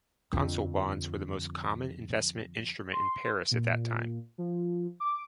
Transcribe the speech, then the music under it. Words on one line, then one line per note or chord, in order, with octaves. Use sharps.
Consol bonds were the most common investment instrument in Paris at that time.
F2 D3
C6
A#2
F3
D6